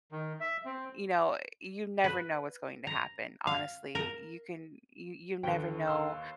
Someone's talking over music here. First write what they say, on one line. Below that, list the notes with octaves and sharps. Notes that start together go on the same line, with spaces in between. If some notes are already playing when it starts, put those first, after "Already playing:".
you know, uh, you never know what's going to happen, honestly. You can you you never know,
D#3
E5
C4
B4
A#5
F5
A#4
D#2 D3 B4 G5 G7
F5 C6 E6